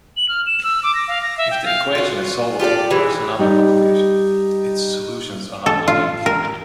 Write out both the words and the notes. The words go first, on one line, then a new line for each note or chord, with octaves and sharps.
If the equation is solvable, there is another complication: its solutions are not unique.
F#7
F6
E7
E6
D6
A#6
F5
A#6
E5
G5
F5
F4 F#4
F4 G4 A4 D5
E3 G#3
G3 D#4
A4
F4
A#4